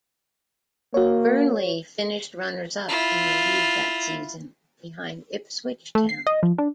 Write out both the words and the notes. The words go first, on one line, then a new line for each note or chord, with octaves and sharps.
Burnley finished runners-up in the league that season, behind Ipswich Town.
A#3 F#4 C#5
E4 F4
A3
C7
D#5
F3
D4